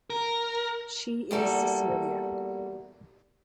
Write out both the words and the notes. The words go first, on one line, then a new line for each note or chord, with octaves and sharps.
She is Cecilia.
A#4
E2 G3 A#3 F#4 A4